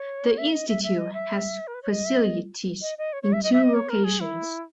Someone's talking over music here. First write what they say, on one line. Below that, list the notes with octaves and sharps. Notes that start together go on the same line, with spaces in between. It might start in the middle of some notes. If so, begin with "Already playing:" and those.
The institute has facilities in two locations.
Already playing: C#5
E5
D#5
E5
E5
D#5
E5
A#4
B4
C#5
D#5
E5
D#5
D#5
D#5
C#5
C#5
E5
D#5
E5
D#5
C#5
A#4
G#4
E4